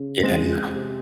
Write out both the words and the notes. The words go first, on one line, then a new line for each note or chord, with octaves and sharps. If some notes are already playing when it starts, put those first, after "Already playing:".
Yeah, no.
Already playing: C#3
G#3 C4
C3